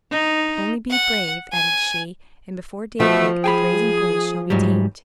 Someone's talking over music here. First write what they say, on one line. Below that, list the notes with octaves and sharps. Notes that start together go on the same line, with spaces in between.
"Only be brave," added she, "and before daybreak the brazen bulls shall be tamed."
D#4
F#5
G#5
B2 F3 A3
G#4 G5 G#5 B5
G#2 F#3 G3